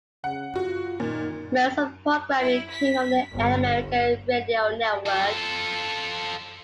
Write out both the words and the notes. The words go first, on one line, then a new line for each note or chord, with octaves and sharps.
Most of the programming came from the Air America Radio Network.
C#3 F#5
F4 F#4
A#2 D#3
E4
B6
G1
F4 A4